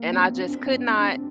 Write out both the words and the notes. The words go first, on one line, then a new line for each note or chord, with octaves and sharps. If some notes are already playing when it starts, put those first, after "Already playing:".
And I just could not
Already playing: A#3
C4
D4
C4
D4